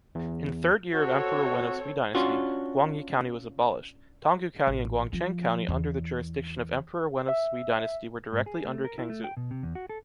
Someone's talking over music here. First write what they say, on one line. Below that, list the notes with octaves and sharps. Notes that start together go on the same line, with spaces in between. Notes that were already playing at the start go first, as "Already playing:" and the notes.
In the third year of Emperor Wen of Sui Dynasty, Guangye county was abolished. Tonggu County and Guangchang county under the jurisdiction of Emperor Wen of Sui Dynasty were directly under Kangzhou.
E2
C4 F#4 A4 C#5
C#4 D4 F4 F#4
A1
F3
E2
E5
G#2
G#4
A3
A#4
E4
A3
G5
B2
C3
E2
F#4
A4